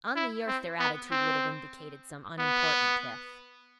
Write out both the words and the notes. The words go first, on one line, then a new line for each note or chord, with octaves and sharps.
On the earth, their attitude would have indicated some unimportant tiff.
E4
C4
B3
C4
B3